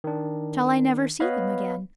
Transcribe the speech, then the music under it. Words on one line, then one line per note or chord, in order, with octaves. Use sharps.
Shall I never see them again?'
D#3 D4
B3 B4 C#5 D#5 F5 B5